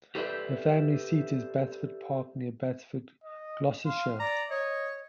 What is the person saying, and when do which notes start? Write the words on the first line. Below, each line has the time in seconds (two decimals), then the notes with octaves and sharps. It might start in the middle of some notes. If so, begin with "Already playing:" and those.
The family seat is Batsford Park, near Batsford, Gloucestershire.
0.15 G4 A4 B4 C5 D5 E5
3.24 D#5
3.86 F5 C6
4.20 D5 A#5
4.51 C#5 D#5